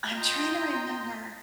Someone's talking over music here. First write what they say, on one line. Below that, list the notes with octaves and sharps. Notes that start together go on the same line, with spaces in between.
I'm trying to remember.
F4 D#5 G5 A#5 C6